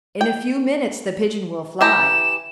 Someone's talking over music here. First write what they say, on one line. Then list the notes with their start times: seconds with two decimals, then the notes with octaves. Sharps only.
In a few minutes the pigeon will fly.
0.21 G5
1.81 E3 G4 A#5 E7